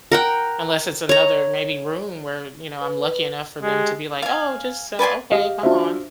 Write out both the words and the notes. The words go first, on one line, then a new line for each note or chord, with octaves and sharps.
unless it's another, maybe, room where, you know, I'm lucky enough for them to be like, "Oh, just, uh, okay, come on."
A#4 F#5 G5
C#5 A#5
B4
G#3 G4
F5 G#5
B4 D5 G#5 C6
G4 D#5 F5
D4 F4 F#4 C5 E5